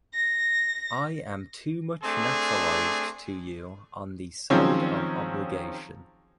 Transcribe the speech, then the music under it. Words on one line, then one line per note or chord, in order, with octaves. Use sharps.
I am too much naturalized to you on the side of obligation.
A#6
A3 C4 D4 G#4
D#3 F3 F#3 G#3 C4 C#4